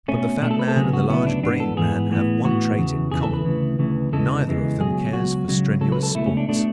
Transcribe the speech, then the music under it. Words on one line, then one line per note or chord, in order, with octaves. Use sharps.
But the fat man and the large-brained man have one trait in common. Neither of them cares for strenuous sports.
B2 A3 C#4
B2 A3 D4
A4
B4
A4
D2 C#3 F#3 B3 G#4
F#4
D2 C#3 F#3 B3 E4
D4
G#2 E3 B3 D4
A4
G#2 E3 B3 G#4
A2 E3 B3
A2 E3 B3 F#4
E2 C#3 E3
E2 C#3 E3 G#4
A4
B4
D2 C#3 E3
D2 C#3 E3
E2 C#3 E3 G#3 A4
E2 C#3 E3 G#3
C#2 B2 F#3 G#4
C#2 B2 F#3 F#4
C#2 C#3 F#3
C#2 C#3 F#3 A4
B4
A4
C#2 B2 A3 E4
C#4
D4
B2 A3 D4